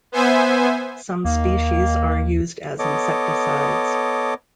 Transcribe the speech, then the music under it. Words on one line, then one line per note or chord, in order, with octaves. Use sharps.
Some species are used as insecticides.
B3 C5 E5 G#5
D#2 D#3 A#3
B3 A4 C#5 D#5 D6